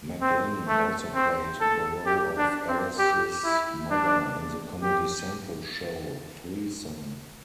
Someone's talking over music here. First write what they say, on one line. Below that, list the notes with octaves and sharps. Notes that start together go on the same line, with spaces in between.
McLynn also played the role of Alice's mother in the Comedy Central show "Threesome".
C4
A3
C4
A4
G4
D4
C4
G4
E4
D4
G4